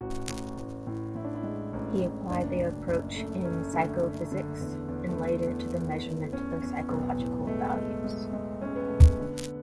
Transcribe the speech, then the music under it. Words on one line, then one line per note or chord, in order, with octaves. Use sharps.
He applied the approach in psychophysics, and later to the measurement of psychological values.
A1 F#4
A1
A1
A2
A2 E4
D4
E4
G#3
A1
A1
F#1 D4
F#1
F#1
A3
A3 C#4
D3 A3
D3
D3
E2
E2
A3
D3 B3
E2
E2
E2
E2 C#4
E2
B1 B3
A2
G#3 A3
G#3
G#3
G#3
G#3 C#4
B3
B1 A3
B3
D3